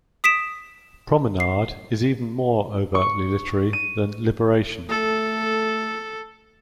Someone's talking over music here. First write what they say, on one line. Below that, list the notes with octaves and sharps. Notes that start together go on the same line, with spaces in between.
"Promenade" is even more overtly literary than "Liberation".
D#6 B6 D7 E7
C7
C#6
D#7
A3 A4